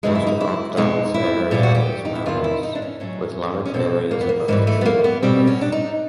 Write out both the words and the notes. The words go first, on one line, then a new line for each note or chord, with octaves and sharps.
Most of Oppdal's area is mountainous, with large areas above the treeline.
F#2 C#3 E3 G#3 D#4
E4
D#4
E4
B2 G#3 D#4
E4
A#2 G3 G4
F#4
G4
D#4
E4
E2 C3 D#3 F4
E4
D#4
D4
C#4
A2 F#3 C#4
C#4
B2 G3 C4
A#3
B3
A#3
G#2 E3 G3 A#3
A3
B3
A#3
B3
B2 G3 C4
C#4
D4
D#4